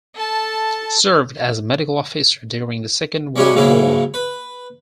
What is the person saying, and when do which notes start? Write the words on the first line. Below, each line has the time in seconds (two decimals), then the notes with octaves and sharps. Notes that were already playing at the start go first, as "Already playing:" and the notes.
Served as a medical officer during the Second World War.
0.15 A4 A5
3.36 G3 G#3 C#4 E4 F#4 G4
3.56 G#2 C#3 F#3 G#3 A#3 E4
4.14 B4